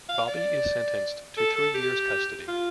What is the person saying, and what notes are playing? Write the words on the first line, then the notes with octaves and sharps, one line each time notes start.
Bobby is sentenced to three years custody.
F5
D5
A4
A4
G4
F4